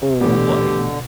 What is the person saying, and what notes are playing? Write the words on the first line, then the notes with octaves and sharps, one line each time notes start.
old, like,
B2 D3 E3 A3 B3 G4